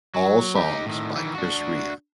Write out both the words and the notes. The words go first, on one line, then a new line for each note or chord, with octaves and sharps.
All songs by Chris Rea.
F#3
D#4 G4
A2 D#3
D#3 E3
D4 F#4